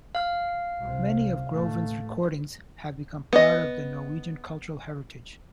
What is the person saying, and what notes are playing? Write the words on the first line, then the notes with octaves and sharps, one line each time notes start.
Many of Groven's recordings have become part of the Norwegian cultural heritage.
F5 F6
C2 C3
A1 A3
B3 D#5